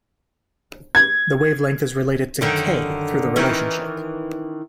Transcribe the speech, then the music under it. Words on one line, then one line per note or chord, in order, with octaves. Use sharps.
The wavelength is related to "k" through the relationship.
G#6
F#2 D3 D#3
D#3 E3 C#4